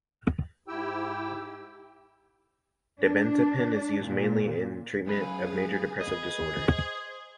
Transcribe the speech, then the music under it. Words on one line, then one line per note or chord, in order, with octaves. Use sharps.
Dibenzepin is used mainly in the treatment of major depressive disorder.
G#2 E4 G4 G5 E6
D4
A#2
F#2 G#4 B4 F5
G#4 B4 D#5
C5